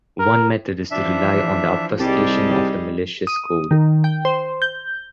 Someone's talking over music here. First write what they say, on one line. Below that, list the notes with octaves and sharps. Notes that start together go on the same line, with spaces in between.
One method is to rely on the obfuscation of the malicious code.
A#4
E3 F3 D4 E5
C2 G3 D#4 G4 G#4 A5
D#6
D#3
G5
C5
G6